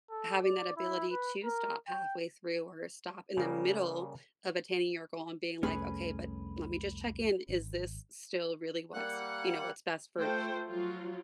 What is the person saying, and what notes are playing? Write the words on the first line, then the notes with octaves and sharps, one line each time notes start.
having that ability to stop halfway through or stop in the middle of attaining your goal and being like, "Okay, but let me just check in, is this still really what's, you know, what's best for
A4
D5
E4
B4
A#4
G5
C#3 G3 A#3
C2 F2 A3 C#4 G#4 B4
G#1
G3 A#3 F#5 F#6
A3 F4 A4 C5 G5
F3 F#3 F4